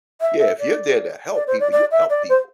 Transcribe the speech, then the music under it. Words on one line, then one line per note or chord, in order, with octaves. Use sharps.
yeah, if you're there to help people, you help people.
E5
E5
D5
D5
C5
D5
D5
E5
D5
C5